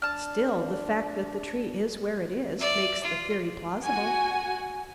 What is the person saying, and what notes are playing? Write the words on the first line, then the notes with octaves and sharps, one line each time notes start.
"Still, the fact that the tree is where it is, makes the theory plausible."
D4 A5 F6
D5 E5
F4
F#4 G#5